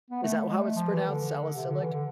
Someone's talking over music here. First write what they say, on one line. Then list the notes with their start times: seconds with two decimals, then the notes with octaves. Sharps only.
Is that how it's pronounced, salicylic?
0.10 B3
0.23 A3
0.47 G#3
0.58 A3
0.75 F3
0.91 E3
1.07 D3
1.55 C3
1.68 D3
1.81 E3
1.93 D3